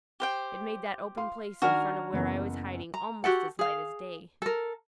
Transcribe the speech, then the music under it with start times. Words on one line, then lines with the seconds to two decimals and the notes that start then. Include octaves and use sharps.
It made that open place in front of where I was hiding almost as light as day.
0.20 G4 C5 G5
1.17 F5 C6
1.62 D#3 D4 F#4 A#4 G#5 F6
2.13 F#1 E3 B3
2.94 A#5
3.24 F#4 G4 A4 F#5
3.59 G#4 F5
4.42 A4 A#4